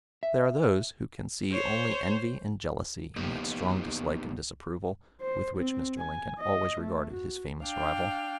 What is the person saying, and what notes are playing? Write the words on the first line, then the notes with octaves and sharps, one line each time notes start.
There are those who can see only envy and jealousy in that strong dislike and disapproval with which Mr. Lincoln always regarded his famous rival.
E5
C5 C#5
A#3 B3 D#4 G4 G5
C5
C4
G#5
D#5
A3
F#4
D4 F5 G5